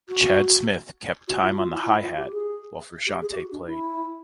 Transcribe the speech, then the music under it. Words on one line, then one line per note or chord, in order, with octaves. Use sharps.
Chad Smith kept time on the hi-hat while Frusciante played.
F#4
F#4
F4
F#4
F4
E4
F4
E4
F4
G4
G#4
G4
G#4
G4
F#4
D4
E4